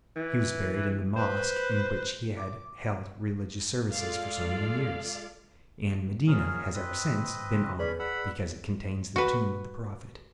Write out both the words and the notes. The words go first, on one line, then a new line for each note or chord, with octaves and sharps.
He was buried in the mosque in which he had held religious services for so many years; and Medina has ever since been honored, because it contains the tomb of the Prophet.
E3
B4 C5
D6
G#3 F4 A4 D5 F5
A#2 F3 C#4 G#4 A#4
G2 C4 B4 D#5
A#2 C#3
C#4 G#4 B4 D5 B5
F#5 B5 E6
F#4 B4